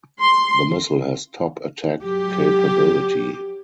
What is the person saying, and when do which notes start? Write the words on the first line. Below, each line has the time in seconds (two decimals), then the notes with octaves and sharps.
The missile has top attack capability.
0.21 C6
2.01 F#3 G4